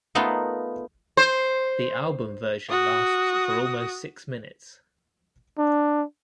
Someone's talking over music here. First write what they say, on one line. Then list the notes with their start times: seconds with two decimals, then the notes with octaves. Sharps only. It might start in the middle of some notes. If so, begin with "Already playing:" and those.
The album version lasts for almost six minutes.
0.15 A3 B3 D#4 F4 A#4
1.17 C5
2.69 F#4 D#6
5.58 D4